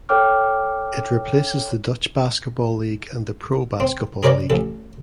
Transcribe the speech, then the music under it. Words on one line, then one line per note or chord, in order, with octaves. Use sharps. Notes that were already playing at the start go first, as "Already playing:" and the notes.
It replaces the Dutch Basketball League and the Pro Basketball League.
A4 C#5 G5 D6 F6
C4
G#4 A#4 B4 C#5 D5 A#5
A1 A4